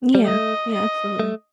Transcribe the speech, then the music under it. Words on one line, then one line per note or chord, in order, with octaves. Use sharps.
Yeah, yeah, absolutely.
G3
A3 D#5
D#5
A3